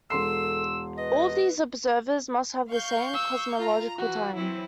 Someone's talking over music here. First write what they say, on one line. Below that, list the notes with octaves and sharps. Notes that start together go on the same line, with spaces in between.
All of these observers must have the same cosmological time.
E1 A4 C6 E6 C7
B4 D#5
F5 C#6 G6
E6
F4 A#5
E3 F#4
E3 F#3 C4 E4